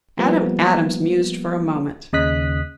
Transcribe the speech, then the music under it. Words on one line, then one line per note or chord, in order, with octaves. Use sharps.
Adam Adams mused for a moment.
F3 G3 A#3 B3
D#2 C#3 D#5 D#6 F#6 B6